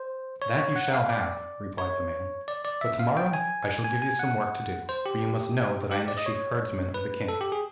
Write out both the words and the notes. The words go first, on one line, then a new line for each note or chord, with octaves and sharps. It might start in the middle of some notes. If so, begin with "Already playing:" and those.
'That you shall have,' replied the man; 'but to-morrow I shall give you some work to do, for you must know that I am the chief herdsman of the king.'
Already playing: C5
C#5
C#5
F#5
F5
D5
C#5
D5
D5
E5
F5
G5
G#5
G#5
G#5
F#5
C5
G4
G4
D5
D#5
C#5
B4
A4
G4
G#4